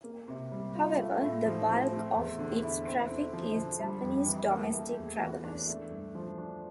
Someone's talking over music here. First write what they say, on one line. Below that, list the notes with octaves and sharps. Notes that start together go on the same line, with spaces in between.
However, the bulk of its traffic is Japanese domestic travelers.
A#3
C3
G3
F4
A3
A2
F3
C4
A3
E2
D3
E4
C4
D3
F3
D3
G3
F2
E3
A#3
A3
E2
E3
D4
A3
G2
F3
D4